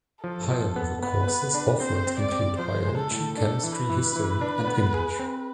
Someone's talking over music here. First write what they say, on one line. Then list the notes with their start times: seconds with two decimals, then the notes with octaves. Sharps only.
Higher level courses offered include Biology, Chemistry, History, and English.
0.24 F3 A4
0.50 F3
0.76 B3
1.02 B3 B4
1.28 B3
1.54 D4
1.80 C4 C5
2.07 C4
2.19 D5
2.32 C4
2.59 F3 C5
2.85 G#3
2.97 A4
3.11 A2
3.37 D4 A4
3.63 E3
3.76 B4
3.90 E3
4.16 E3
4.41 D4
4.67 B3
4.94 G#4
5.19 C4